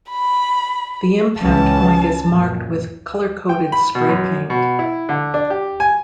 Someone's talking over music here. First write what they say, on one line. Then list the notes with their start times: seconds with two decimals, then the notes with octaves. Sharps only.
The impact point is marked with color-coded spray paint.
0.10 B5
1.41 C#2 E3 C#4 A5
2.29 F#2 A#2
3.49 G5
3.72 B5
3.95 B2
4.09 F#2
4.50 B2
4.79 E4
5.09 D3
5.34 D4
5.50 G4
5.80 G#5